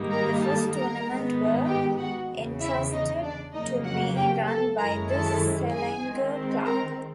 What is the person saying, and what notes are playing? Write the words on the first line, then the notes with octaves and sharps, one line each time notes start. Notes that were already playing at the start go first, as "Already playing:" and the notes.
The first tournament were entrusted to be run by the Selangor Club.
Already playing: G#2 D#3 G3 A#3 D#4
A#4 A#5
A4 A5
A#4 A#5
G#2 D#3 G#3 B3 D#4
G4 G5
F#4 F#5
E2 C#3 E3
E4 E5
D#4 D#5
D4 D5
F2 C#3 F#3 A#3 D#4 D#5
F#4 F#5
G4 G5
A4 A5
F#2 D#3 G#3 C#4 E4 A#4 A#5
A4 A5
G#4 G#5
D#3 G#3 C4
A#4 A#5